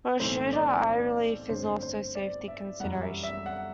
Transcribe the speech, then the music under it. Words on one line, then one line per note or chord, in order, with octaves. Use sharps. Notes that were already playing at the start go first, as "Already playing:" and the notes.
For a shooter, eye relief is also a safety consideration.
B1 A2 E3 A3 C4 C5
D5
G2 D3 A3 C4 C5
C5
D5
E5
F#2 E3 G3 F#5
E5
E5
F#5